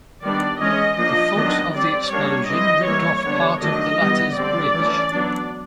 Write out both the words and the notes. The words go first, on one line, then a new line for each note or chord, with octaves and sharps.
The force of the explosion ripped off part of the latter's bridge.
D#3 G3 B3 D4 D5
E3 G#3 C#4 D#5
F3 A#3 D4 D#5
D#3 F#3 B3 D4
G3 C4 D5
G3 A#3 D4 C#5
E3 G3 C4 D#5
E3 G3 A#3 C#5
D3 G3 B3 D4
D#3 F#3 A3 D4 D#5
E3 G3 B3
D3 G3 C4 D5
E3 A3 C#4
F#3 B3 D4